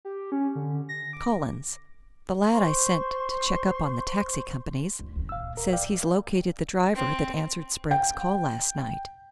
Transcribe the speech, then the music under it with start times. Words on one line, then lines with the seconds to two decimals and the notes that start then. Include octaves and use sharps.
Collins--the lad I sent to check up on the taxi companies--says he's located the driver that answered Sprague's call last night.
0.05 G4
0.32 C#4
0.55 D3
0.89 A#6
1.13 D6
2.52 C5 C6 C#6
4.99 D2
5.16 D2 C#4
5.29 D#1 F5 E6
5.57 A#4
5.73 D5 F5 G5
6.95 C4
7.91 G5